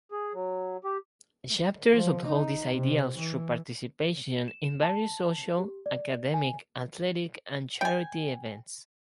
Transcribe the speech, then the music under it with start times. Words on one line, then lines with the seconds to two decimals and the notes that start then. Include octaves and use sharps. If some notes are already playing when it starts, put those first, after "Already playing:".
Chapters uphold these ideals through participation in various social, academic, athletic and charity events.
0.11 G#4
0.34 F#3
0.84 G4
1.92 F3
2.24 D#4
2.72 C3
3.16 E3
4.48 E7
4.64 E7
4.83 A5
5.59 G4
5.86 D5
6.34 G#5
7.81 G5 G#5